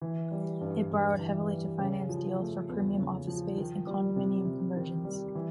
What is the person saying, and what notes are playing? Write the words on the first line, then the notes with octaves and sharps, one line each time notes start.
It borrowed heavily to finance deals for premium office space and condominium conversions.
E3
G3
G2
G2
E3
G3
C#3
F3
A3
E2
C#3
F3
D#3
G3
C3
C3
D#3
G3
E3